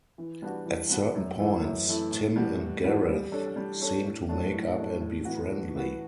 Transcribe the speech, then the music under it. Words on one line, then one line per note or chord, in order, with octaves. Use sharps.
At certain points, Tim and Gareth seem to make up and be friendly.
E3
G3 B3 D4 F#4
E3
G3 B3 D4 F#4
F#2
E3 A3 E4
F#2
E3 A3 E4
A2
E3 G3 D4 F#4
A2
E3 G3 D4 F#4
G3
D4 A4 C#5
G3
D4 A4 C#5
A2
F#3 A3 D4
A2
F#3 A3 D4
A2
E3 B3 F#4
A2
E3 B3 F#4